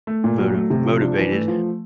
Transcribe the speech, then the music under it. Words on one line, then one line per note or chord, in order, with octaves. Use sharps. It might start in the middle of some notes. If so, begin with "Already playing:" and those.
moti motivated.
A3
A#2
F#3
A3
C3
F3
D4
E3
A3
F3